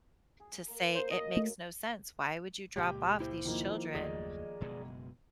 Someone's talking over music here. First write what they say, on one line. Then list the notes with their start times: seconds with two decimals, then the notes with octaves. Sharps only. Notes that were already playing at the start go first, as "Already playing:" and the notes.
to say "It makes no sense. Why would you drop off these children
0.40 G#4
0.68 A#3 A#4
0.95 F#2 C5
1.11 D#5
1.36 A3
2.76 C#2 A#2 G#3 G4 G5
3.20 E4 C5
3.45 D#3 F3 A#3
3.95 F#1 D#2 A3 G#4 D5 D#5
4.60 F#1 B2 G#3